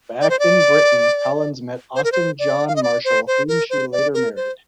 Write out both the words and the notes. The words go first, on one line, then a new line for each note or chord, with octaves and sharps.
Back in Britain, Collins met Austin John Marshall, whom she later married.
D5
C5
D5
C5
A#4
C5
D5
F5
D#5
D5
C5
C5
A#4
C5
D5
A#4
C5